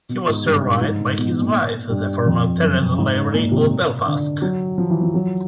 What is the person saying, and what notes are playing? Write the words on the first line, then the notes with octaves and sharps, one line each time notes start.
He was survived by his wife, the former Teresa Lavery of Belfast.
B2
G#2
G2
G#2
B2
B2
A#2
G2
F2
F#2
G#2
A#2
C3
D3
F#3
F3
E3
F3
F#3